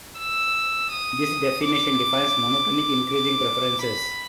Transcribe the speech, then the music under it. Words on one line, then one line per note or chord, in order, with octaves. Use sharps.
This definition defines monotonic increasing preferences.
E6
D#6
D6
D6
B5